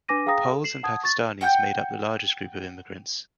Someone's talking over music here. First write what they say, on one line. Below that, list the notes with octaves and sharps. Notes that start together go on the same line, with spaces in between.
Poles and Pakistanis make up the largest groups of immigrants.
D4 B4 G#5 D6 A#6 D#7
G#4 F5 G5 A#5 D#6 A#6
A4
C7 E7 F#7
F#5 A5 D#6 G#6
C#6 A6
F#5 G5 D6 G6